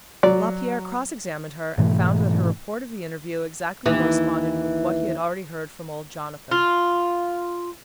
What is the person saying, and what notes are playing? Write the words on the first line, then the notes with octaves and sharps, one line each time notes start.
Lapierre cross examined her, and found that her report of the interview exactly corresponded with what he had already heard from old Jonathan.
F#3 D5
G#2 B2 E3 A3
D#2 E3
F4